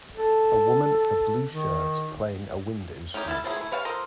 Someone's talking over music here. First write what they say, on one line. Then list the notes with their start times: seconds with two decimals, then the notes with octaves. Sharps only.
A woman in a blue shirt playing a wind instrument.
0.16 A4
1.52 D#3
3.14 C#4 D#4 E4 G4 C#5
3.27 G3 E4 A4 E5 A5
3.44 F3 F#3 E4 G#4
3.57 A3 E4
3.72 B4 C#5 F5 G5 A5
3.85 F4 A4 A#4 C5 D#5